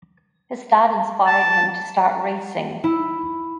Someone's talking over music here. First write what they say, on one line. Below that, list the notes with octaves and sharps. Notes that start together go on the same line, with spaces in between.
His dad inspired him to start racing.
A5
E4